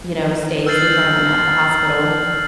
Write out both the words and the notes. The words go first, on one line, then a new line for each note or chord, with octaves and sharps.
you know, stays with him at the hospital
E6 F6 G6 A6 C7 F#7